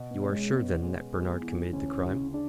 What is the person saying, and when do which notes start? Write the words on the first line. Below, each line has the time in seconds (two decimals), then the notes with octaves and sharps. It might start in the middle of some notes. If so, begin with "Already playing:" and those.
"You are sure, then, that Bernard committed the crime?"
Already playing: B2
0.11 B3
0.22 C#4
0.32 G#3
0.51 B2 B3
0.82 G#3
1.13 G#3
1.42 E3
1.73 D2 C#4
2.03 C#3
2.34 D4 G#4